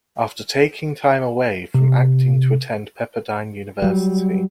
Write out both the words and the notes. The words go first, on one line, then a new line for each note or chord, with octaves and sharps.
After taking time away from acting to attend Pepperdine University.
C3
F#3 G3